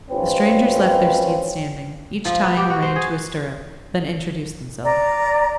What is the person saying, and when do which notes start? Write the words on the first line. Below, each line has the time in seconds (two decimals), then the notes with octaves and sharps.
The strangers left their steeds standing, each tying a rein to a stirrup, then introduced themselves.
0.11 G#1 C4 C#4 F4 B4
2.25 F3
2.44 B3
2.57 G4
2.70 F#4
2.82 C5
2.96 G#4
4.84 D5 A#5